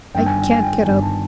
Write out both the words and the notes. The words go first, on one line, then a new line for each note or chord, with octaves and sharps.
I can't get up!
G1 G2 D#3 G5
G#5
G5
G#5
G5
G1 G2 D#3 G#5
A5